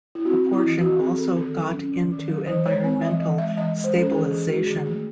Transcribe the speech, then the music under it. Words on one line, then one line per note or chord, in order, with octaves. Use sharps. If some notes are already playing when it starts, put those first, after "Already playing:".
A portion also got into environmental stabilisation.
E4
C4 F#4
C4
E4
E3
E3 F#4
C4 G#4
C4 A4
D#3 A4
F#3
C#4
D#3
D#3
F#3
E3 C5
G#3 C#5
C4 G#5
E3 E5
E3
G#3 E5
E3 D#5
G#3
C5
C#4
A4
E3 G#4
E3 G#4
G#3 F#4
D#3 G#4
A3 G#4